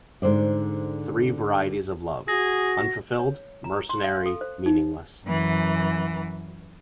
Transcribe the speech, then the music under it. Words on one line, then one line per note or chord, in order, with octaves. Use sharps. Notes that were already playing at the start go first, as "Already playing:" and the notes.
Three varieties of love: unfulfilled, mercenary, meaningless.
G#2 D3 C5 D5
F#4 G#4 A#6
C#5
A#5
C6
F5
A4
C5
D#4
F#2 E3